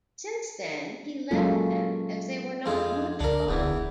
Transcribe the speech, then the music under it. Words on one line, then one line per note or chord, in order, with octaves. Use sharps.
Since then, he left them as they were not much fun.
F#3 G#3 A#3 C#4 F4 A4
F2 G#3 F4
C#2 D3 D4 A#4 D5
D1 E2 E3